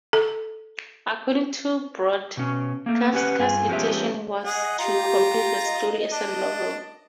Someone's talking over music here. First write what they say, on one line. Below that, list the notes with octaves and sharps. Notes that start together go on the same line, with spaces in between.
According to Brod, Kafka's intention was to complete the story as a novel.
A4
B2 C#4
A3 A#3
C#4 G4 B4 F#5
G2 F4 G#4
F3 G#3 B3 C#4 G4 E5
G#4 D#5 F#5
F4 G4 A#5
D#5
D4